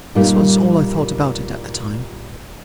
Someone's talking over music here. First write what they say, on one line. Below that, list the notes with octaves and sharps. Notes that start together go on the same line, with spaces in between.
This was all I thought about it, at the time.
G2 A#2 G3 A#3 D#4 A#4